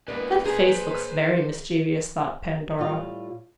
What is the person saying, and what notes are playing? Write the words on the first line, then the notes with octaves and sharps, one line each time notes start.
"That face looks very mischievous," thought Pandora.
G#3 A#3 B3 A#4 B4 D5
G#4 C5 A#5
A2 G3 F4